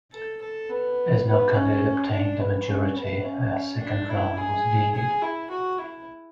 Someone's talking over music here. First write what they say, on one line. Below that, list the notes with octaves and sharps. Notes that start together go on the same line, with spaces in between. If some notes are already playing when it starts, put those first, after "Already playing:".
As no candidate obtained a majority a second round was needed.
A4
A4
B3
B3
C#4
D4
B3
C#4
B3
C#4
D4
E4
G#4
G#4
E4
F#4
E4